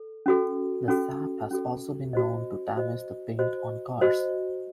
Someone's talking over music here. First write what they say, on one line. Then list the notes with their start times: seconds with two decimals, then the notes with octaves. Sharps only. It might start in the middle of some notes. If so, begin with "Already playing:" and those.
The sap has also been known to damage the paint on cars.
Already playing: A4
0.26 C#4 F#4 A4
0.88 C#4 F#4 A4
1.51 C#4 F#4 A4
2.13 F#4 C5 D#5
2.76 F#4 C5 D#5
3.39 F#4 C5 D#5
4.01 F#4 C5 D#5